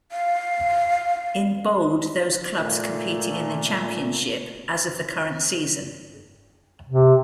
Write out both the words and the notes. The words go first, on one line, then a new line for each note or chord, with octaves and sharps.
In bold those clubs competing in the Championship as of the current season.
F5
A#2 A3
C3